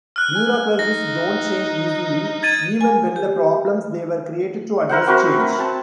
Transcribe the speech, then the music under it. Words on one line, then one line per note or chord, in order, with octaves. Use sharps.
Bureaucracies don't change easily, even when the problems they were created to address change.
F6 F#6
G#5
D#4 A#6
G#6 A6 D#7
G#5
G4
E4 A#4 C5 F#5
C4 F#4 A#4 B4
B4
C4 A5